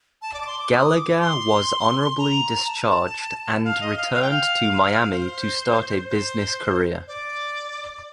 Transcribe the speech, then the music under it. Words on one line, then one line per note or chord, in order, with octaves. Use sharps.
Gallagher was honorably discharged and returned to Miami to start a business career.
A5
D5
D6
C6
D6
D#6
D6
C6
A#5
A5
F5
D#5
F5
F5
G5
F5
C5
C5
D5